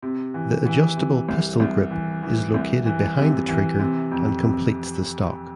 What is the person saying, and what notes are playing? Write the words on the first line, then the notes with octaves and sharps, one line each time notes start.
The adjustable pistol grip is located behind the trigger and completes the stock.
C3
E3
E3
C3
C2
C2
E3
E3
C2
E3
C3
E3
C3
F2
C3